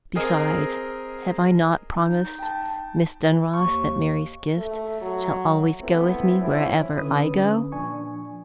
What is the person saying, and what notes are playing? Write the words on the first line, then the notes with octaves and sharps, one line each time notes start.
Besides, have I not promised Miss Dunross that Mary's gift shall always go with me wherever I go?
C4 G#4 A#4 D#5
D#4
G5 A5
D#2 C#6
A3
F#3
A3 B3 C4 E4
F3 C#4 E4
D3 C#4 B4 D#6
A#2 F3 D4 G#5 C#6